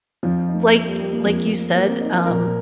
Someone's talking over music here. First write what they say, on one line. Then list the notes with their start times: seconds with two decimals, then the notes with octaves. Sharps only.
uh, like like you said, um,
0.23 F2 F3 F4
0.49 D#4
0.74 A#3
0.86 G3
0.99 G3
1.12 A#3
1.25 F2 F3
1.75 A#3
1.88 C4
2.01 D#4
2.14 F4
2.26 A#2 F3 A#4